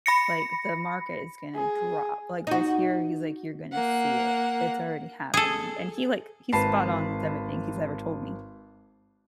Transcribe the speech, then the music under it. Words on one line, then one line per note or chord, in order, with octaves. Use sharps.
like, the market is gonna drop," like, this year he's, like, "You're gonna see it, it's already happening," and he, like he's spot on with everything he's ever told me,
B5 A#6 C#7
G#4
D#4 F#4
A#3 F#5
G#4 A4
G#1 B4 A5 B5 C7